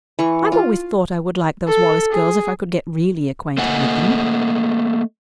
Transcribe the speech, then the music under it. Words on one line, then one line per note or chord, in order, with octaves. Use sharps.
I've always thought I would like those Wallace girls if I could get really acquainted with them.
E3 C#6
F4
A4
G#4
A3 A#3 D#5 F#5 G#5